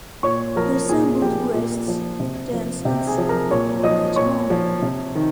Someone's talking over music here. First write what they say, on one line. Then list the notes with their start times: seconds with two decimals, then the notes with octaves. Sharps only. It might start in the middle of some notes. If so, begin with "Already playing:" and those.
The assembled guests dance and sing the whole night long.
0.23 A#2 C#5 C#6
0.56 F3 A#4 A#5
0.89 A#2 G#4 G#5
1.21 F3 G4 G5
1.54 A#2
1.88 F3
2.20 C3
2.53 F3
2.85 C3 G4 G5
3.07 G#4 G#5
3.18 F3
3.29 A#4 A#5
3.51 A#2 C#5 C#6
3.83 F3 D#5 D#6
4.16 A#2 C#5 C#6
4.50 F3
4.82 C3
5.15 D#3